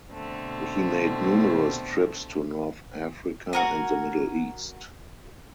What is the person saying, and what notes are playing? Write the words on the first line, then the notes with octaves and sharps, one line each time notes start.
He made numerous trips to North Africa and the Middle East.
B2 D3 A3 C4
F#4 A#4 G#5